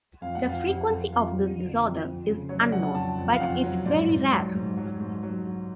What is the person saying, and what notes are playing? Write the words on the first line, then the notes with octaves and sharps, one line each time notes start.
The frequency of this disorder is unknown, but it is very rare.
F2 F5
F#5
F2
F5
F2 F#5
F2
F2 F5
F2
D3
F2
F2
C#3
F#3 C#5
D5
F#3 F#5
F#5
F2 A5
F2
F5
F2 F#5
F#3
G#2 D5
G#2
F#3
G#2
F#3
G#2
F#3